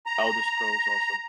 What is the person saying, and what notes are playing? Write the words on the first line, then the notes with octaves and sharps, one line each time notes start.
Elder Scrolls, also.
A#5